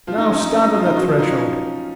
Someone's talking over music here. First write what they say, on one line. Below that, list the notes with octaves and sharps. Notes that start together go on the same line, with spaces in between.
Now stand on that threshold.
F3 F4
D#4
C#4
D#4
C#4
D#4
F3 F4
D#4
F#3 F#4
F3 F4
D#4
C#4